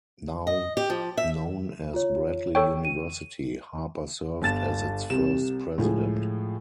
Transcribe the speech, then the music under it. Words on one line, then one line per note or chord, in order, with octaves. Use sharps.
Now known as Bradley University, Harper served as its first president.
D#5
G4
F3
E5
F4 C#5
A4 C#5 G5 C#6
D#7
G1 A5 A6 E7
C2 C3 E7
A2 F3 G#3